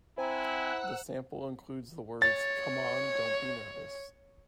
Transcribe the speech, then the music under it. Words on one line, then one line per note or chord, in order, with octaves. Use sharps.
The sample includes the words ... c'mon, don't be nervous!
C4 E4 C5 F#5 G#5 A#5 E6 F#6
C#5 A6